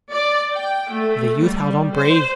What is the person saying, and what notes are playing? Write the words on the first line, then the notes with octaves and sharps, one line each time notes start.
The youth held on bravely.
D5
G5
A3
G3
C5